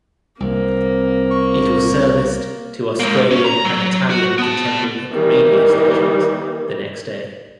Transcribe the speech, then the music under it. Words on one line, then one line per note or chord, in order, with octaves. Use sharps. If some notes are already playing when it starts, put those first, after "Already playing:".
It was serviced to Australian and Italian contemporary hit radio stations the next day.
C2 A#3 C4
C#6
G#2 A#3
C#4
A#5
F#3
F#4
B3 A5
D#3 E3 G3 A#3 D#4